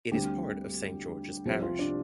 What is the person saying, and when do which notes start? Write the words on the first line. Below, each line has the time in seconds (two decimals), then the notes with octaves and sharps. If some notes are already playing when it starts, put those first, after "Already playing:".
It is part of Saint George's Parish.
0.12 D2 D3 G3 C4 G4
1.45 C2 C3 F3 C4
1.62 F4
1.79 D4